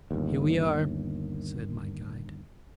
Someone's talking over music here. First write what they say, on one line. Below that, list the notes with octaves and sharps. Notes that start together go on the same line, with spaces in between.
"Here we are," said my guide.
G1 D#2